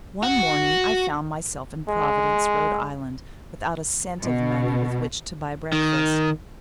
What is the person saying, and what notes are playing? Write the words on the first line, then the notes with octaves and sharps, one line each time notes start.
One morning I found myself in Providence, Rhode Island, without a cent of money with which to buy breakfast.
F#4
G#3
B2
D#3